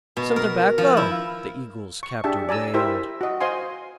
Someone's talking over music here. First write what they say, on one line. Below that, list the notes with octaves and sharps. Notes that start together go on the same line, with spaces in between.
"Some tobacco?" the eagle's captor wailed.
B2
A#4
F3
E4
C#6
D4 G4 G#4 E5 A5
D5 G#5 A#5 E6
E4 G4 A#4 C5 E5
F#4 D#5
C5 D#5 F5 G#5 C6 D#6